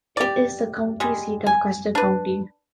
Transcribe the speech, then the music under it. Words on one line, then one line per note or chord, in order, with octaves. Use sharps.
It is the county seat of Custer County.
G4 D5
G3 G#3
G#5
D4 B4